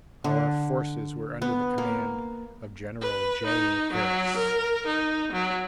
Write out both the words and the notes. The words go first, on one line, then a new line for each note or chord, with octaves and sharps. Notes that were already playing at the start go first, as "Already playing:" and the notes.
Our forces were under the command of General J. Harris.
D3
B3
A#3
B4
D#4
F#3
A#4
D#4
F#3